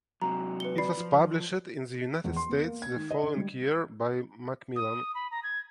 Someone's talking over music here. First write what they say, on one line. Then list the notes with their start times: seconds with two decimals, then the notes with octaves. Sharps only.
It was published in the United States the following year by Macmillan.
0.22 C3 F#3 A#5
0.60 B4 C#7 G7
0.78 D5 B5 C7
0.98 F3
2.24 E2
2.36 C6
2.49 B3
2.63 A#3
2.82 G#6
2.96 D#3
3.11 D#5
3.23 D3
3.36 G3
4.76 D#6
5.15 B5
5.31 A#5
5.43 G#6